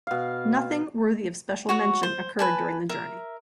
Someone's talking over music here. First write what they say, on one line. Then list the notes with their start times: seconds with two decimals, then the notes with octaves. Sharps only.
Nothing worthy of special mention occurred during the journey.
0.07 B2 F5
1.69 F#4 C#5 F#5
2.03 C5
2.39 B4 G#5 A5
2.89 A#4 E5